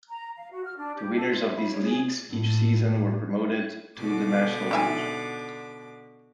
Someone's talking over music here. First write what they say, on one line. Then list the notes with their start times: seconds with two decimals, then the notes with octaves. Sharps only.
The winners of these leagues each season were promoted to the National Division.
0.09 A#5
0.37 F5
0.51 F#4
0.64 F6
0.77 D4
0.95 G4
1.15 A4
1.29 C6
1.43 E5
1.57 B5
1.70 C#5
1.85 G#4
2.29 A2
3.97 B2 D3 D6
4.71 D#3 E5 G#5